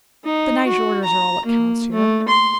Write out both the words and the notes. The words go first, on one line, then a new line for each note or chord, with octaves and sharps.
The Nyjorders are all that counts here.
D#4
F#4
A#5
A#3
A3
C6